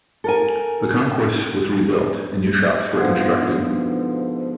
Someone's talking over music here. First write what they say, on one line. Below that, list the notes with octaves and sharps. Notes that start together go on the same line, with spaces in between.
The concourse was rebuilt and new shops were constructed.
A4 A#4 G#5
G#2 B2 D3 F3